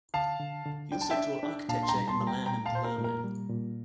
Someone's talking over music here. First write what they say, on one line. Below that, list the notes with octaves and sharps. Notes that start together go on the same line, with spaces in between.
He also taught architecture in Milan and Palermo.
D3 F5 A5
D3
D3
D4 G5
A5
E5 G5
D4
D4
A#2 F5 A5
C6
G5 A#5
G3
A5 C6
G3
G5 A#5
A#2 G5 A#5
F5 A5
A#2 C5
A#4
A#2
A#4
G3
A#2